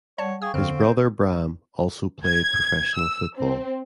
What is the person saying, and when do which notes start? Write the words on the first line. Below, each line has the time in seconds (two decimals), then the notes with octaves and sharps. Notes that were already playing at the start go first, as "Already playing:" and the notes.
His brother Bram also played professional football.
0.18 G3 C#5 D5 F#5 A5
0.42 G#4 F5 G5 C#6 D#6
0.54 E2 D3 C4 F6
0.81 G6
2.26 G#6
2.96 E6
3.37 C4